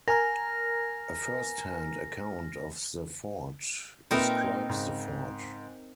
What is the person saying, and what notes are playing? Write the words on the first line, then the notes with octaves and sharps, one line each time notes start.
A first-hand account of the fort describes the fort.
A#4 G#5 A#5 F6 A#6
A#2 C4 D#4 A#4 B4 E5
G#2 C#3